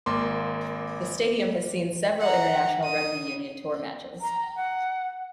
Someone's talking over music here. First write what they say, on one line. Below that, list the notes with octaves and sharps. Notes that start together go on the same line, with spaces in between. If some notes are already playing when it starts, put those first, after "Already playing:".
The stadium has seen several international rugby union tour matches.
G#1 A#3 C6 D6
F#5 A#5
D#6
A#5
F#5